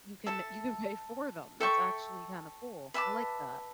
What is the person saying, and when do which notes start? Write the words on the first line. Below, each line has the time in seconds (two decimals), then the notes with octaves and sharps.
you can you can pay for them, that's actually kinda cool, I like that.
0.26 A4 E5 A5
1.60 A4 E5 G5 C#6
2.94 B4 E5 A5 D6